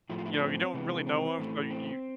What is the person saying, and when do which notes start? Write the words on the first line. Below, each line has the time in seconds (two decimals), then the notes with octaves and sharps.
you know, you don't really know him, so you you
0.09 A2 F3 A3 E4
0.18 F4
0.26 E4
0.33 D4
0.41 C4
0.74 C3 E3 G#3 B3
1.07 C4
1.38 A2 E3 A3
1.71 C4